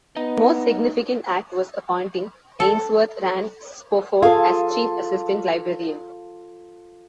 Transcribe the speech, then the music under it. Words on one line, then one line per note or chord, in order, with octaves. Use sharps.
His most significant act was appointing Ainsworth Rand Spofford as Chief Assistant Librarian.
B3 D#4 D#5
A4
F4 G#4 A4 F5